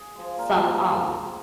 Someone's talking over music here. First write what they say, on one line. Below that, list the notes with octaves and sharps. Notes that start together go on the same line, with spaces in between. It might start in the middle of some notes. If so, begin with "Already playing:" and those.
some, um,
Already playing: G#4
F3 G#3
A#2 A#4
F3